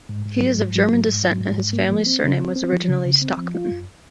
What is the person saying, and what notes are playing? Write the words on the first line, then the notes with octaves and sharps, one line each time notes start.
He is of German descent, and his family's surname was originally "Stockmann".
G#2
G#2
F#3
G#2
F#3
G#2
G#2
F#3
G#2
G#2
A#3
F3
C4
C#3
C4
C4
F3
C#3
C#3
C4
F3
F4
F#2